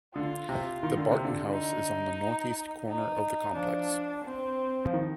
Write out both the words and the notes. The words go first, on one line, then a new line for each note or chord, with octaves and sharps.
The Barton House is on the north east corner of the complex.
D3 F4
C3
D#3
D3
C3
D3
D#4
D#4
F3 D4
C4
F3
D#3